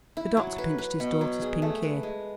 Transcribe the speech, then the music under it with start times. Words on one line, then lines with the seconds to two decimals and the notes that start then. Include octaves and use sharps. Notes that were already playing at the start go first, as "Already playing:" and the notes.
The doctor pinched his daughter's pink ear.
0.17 E4
0.37 F#3
0.58 B4
0.78 B4
1.00 B2
1.21 F#3
1.42 G#4
1.62 A3
1.83 B4
2.03 G#3